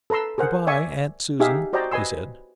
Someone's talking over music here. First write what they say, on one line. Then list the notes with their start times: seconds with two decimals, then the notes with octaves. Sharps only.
"Good-bye, Aunt Susan," he said.
0.10 A4 B4 A#5 C6 E6
0.38 G#4 A#4 C5 F#5
0.67 D5 E5 G#5 C#6
1.40 D#4 G4 G#4 E5 F5
1.73 F#4 C5 D5 D#5 G5 A#5
1.91 B4 D#5 G#5 C6 E6